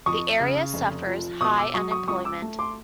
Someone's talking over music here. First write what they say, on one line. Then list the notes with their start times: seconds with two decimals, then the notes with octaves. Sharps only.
The area suffers high unemployment.
0.06 F2 C#6 D#6
0.40 C#3
0.74 F1
1.07 F3
1.41 B2 C#6 D#6
1.57 D6 E6
1.74 F#3 C#6 D#6
1.91 C#6 D#6
2.08 C#2 C#6 D#6
2.25 D6 E6
2.42 A3
2.59 C6 D6